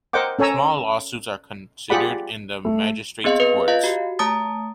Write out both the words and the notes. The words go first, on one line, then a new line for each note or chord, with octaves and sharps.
Small lawsuits are considered in the Magistrates' Courts.
A#4 C5 D#5 F#5 G5 D6
C#4 A4 C#5 G#5 A#5 E6
F4 G4 G#4 D5 F#5 B5
A3
B3 C4 G#4 D#5 F5
B4
F4 D#5 F5
F#4 G4
A3 A5 A#5 D#6 A6